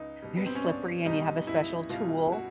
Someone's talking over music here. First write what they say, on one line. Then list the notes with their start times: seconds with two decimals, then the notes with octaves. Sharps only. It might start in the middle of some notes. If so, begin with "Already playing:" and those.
they're slippery and you have a special tool.
Already playing: C#2 D#4
0.22 B2 G3
0.38 B3
0.46 C4
0.55 C#4
0.63 C#2 D4
1.05 B2 G3 D#4
1.47 C#2 E4
1.89 B2 G3 F4
2.32 F#4